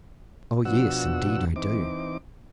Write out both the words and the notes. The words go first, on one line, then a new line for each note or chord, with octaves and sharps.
"Oh, yes, indeed I do!"
B2 F3 D4 F#4 F#5 E6
E3 C4 D#4 D6